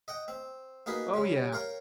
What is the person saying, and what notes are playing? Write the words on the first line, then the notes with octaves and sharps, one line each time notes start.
Oh, yeah,
D#5 F#5 G5
C4
A#3 D#4 F#4 G#4 B4
C#3 G3
A#4 C#5 F5 G5